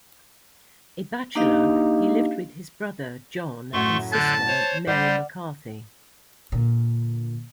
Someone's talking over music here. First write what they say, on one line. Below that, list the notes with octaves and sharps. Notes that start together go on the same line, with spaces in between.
A bachelor, he lived with his brother, John, and sister, Mary McCarthy.
A#3 D4 D#4 G4 D#5 F5
F#2 A2 F#3 A3 C6 C#6
D3 A5 F#6 G6
C5 C#5
G3 C5 D5 F#5
A#2 D3